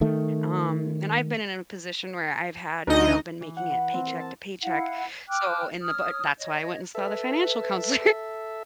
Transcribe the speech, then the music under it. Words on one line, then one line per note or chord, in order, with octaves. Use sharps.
um, and I've been in a position where I've had, you know, been making it paycheck to paycheck, so in the bu that's why I went and saw the financial counselor.
D#3 A3
D2 D4 D#4 D#5
E3
F#5
B4
C4
A#4
A5
E4 F5 F#5
G5 D6 F6 F#6
C#5 D#6 F6
C#5 D#5
A4 B4 E5